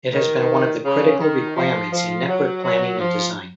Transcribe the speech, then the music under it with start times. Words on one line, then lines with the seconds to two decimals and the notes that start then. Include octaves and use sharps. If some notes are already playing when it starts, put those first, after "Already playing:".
It has been one of the critical requirements in network planning and design.
0.13 D#3
0.85 C#3
1.20 D#3
1.56 F3
1.93 F3
2.28 F#3
2.64 F#3
3.00 F3